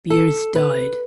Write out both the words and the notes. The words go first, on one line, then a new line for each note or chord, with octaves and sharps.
Beers died.
A4
B4